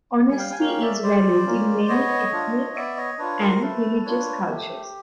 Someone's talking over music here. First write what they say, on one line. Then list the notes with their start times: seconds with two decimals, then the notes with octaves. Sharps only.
Honesty is valued in many ethnic and religious cultures.
0.16 G3
0.31 G#5
0.38 F5 G5
0.52 G#5
0.59 A#3 C#4 F5 G5
0.81 D5 E5
1.03 G3 C5 D5
1.46 A#3 C#4
1.89 B3 C#5 D#5
2.32 D4 F4
2.75 B3 D5 E5
2.97 C#5 D#5
3.18 D4 F4 B4 C#5
3.40 A#4 C5
3.61 A3 A4 B4
4.05 D4 F4 B4 C#5
4.48 A3 G4